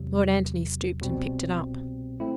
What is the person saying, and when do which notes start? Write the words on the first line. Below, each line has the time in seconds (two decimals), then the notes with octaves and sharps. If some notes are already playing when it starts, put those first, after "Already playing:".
Lord Antony stooped and picked it up.
Already playing: E2 C3 F#3
1.01 C2 B2 G3 C4
2.20 A3 C4 E4